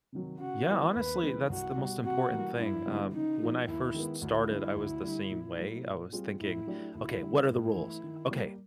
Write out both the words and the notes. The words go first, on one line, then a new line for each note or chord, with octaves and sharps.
Yeah, honestly, that's the most important thing, um. When I first started, I was the same way, I was thinking, "Okay. What are the rules? Okay.
C3 D#3 F#3
C#3 F#4
E3 G3 B3 E4
D#2 B4
C#3 E3 G#3 C4
C2 F#4
B2 G3
C3 F#4
E3 G3 A#3
G2 E4
D3 G3 B3
C#3 D#4
F3 G#3
D#2 E4
D#3 G#3 B3
D2 E4
D3 G3
D2
D3 G3
A#2
F#3 A3
A#2
G3 C4 F4 G#4
A2 E4
F#3 A3 D4 G4
D2 E4
D3 G3
G#2 E4
E3 A3
D#3
G3 A#3